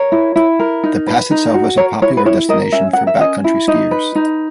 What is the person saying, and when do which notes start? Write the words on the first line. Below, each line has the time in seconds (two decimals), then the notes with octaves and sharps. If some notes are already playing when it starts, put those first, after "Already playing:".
The pass itself is a popular destination for backcountry skiers.
Already playing: A#4 C#5
0.12 E4
0.36 E4
0.59 A#4
0.84 D#4
1.07 B4
1.31 D#4
1.54 F#4
1.78 A#4 C#5
2.02 E4 C#5
2.17 B4
2.25 E4 C#5
2.49 A#4 D#5
2.72 C#4 E5
2.93 A#4 F#5
3.07 E5
3.20 C#4 D#5
3.44 E4
3.68 D#4 D#5
3.91 B4
4.15 D#4